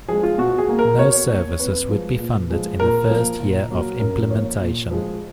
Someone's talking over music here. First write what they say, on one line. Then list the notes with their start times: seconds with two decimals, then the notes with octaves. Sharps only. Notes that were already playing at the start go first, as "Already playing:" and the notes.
No services would be funded in the first year of implementation.
0.08 F3 G#3 G#4
0.23 F4
0.38 B2 F#4
0.58 G#4
0.69 A#3
0.79 A#4
0.99 B2 C#5
1.29 A#3
1.59 F2 B4
1.89 F3 G#3
2.19 A#2
2.50 F3 G#3
2.80 A#2 A#4
3.10 F3 A#3
3.40 A#2
3.71 F#3 A#3
4.00 F#2 A#4
4.30 F3 A#3 C#5
4.61 A#2
4.91 F3 G#3